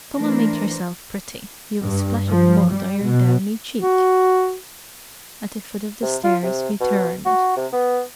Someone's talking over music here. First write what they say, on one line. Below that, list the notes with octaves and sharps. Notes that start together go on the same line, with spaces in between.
"Come and make yourself pretty: you've a splash of mud on your downy cheek." At the foot of the stairs he turned.
E3 A3 D4 A#4 C5
G2
F3
G3
B2
F#4
C3
F4
C3
B2
F#4
C3
B3